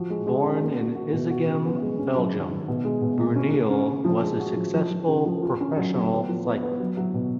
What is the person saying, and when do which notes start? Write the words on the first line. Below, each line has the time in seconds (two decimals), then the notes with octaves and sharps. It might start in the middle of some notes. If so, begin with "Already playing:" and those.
Born in Izegem, Belgium, Bruyneel was a successful professional cyclist.
Already playing: F3 F#4
0.10 G#3
0.27 G#3
0.44 C#4
0.62 A#3
0.78 F#4
0.95 F#4
1.13 B2
1.30 F#4
1.47 C#3
1.65 B3
1.82 G#3
1.99 C#4
2.16 F#3
2.33 D#3
2.50 D#3
2.68 B2
2.85 G#3
3.02 B2
3.19 G#3
3.36 C#4
3.53 C#3
3.70 C#4
3.88 C#3
4.05 F3
4.22 G#3
4.40 F#4
4.56 F3
4.74 F3
4.91 F3
5.08 C#3
5.26 F3
5.43 F4
5.60 C#4
5.77 F#3
5.95 F#3
6.12 B3
6.29 F3
6.45 B3
6.63 B3
6.80 F#3
6.97 F#3
7.14 B2